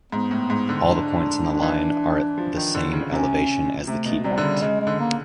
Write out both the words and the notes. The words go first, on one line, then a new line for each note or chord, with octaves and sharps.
All the points on the line are at the same elevation as the keypoint.
G#2 B3
A2
G#2
D3
D4
E3
F3
D#3
D3
C#3
C3 C#4
C3 A3
B2
C3 G3
D3
C#3
C#3 G#3
G#3
D3
A#3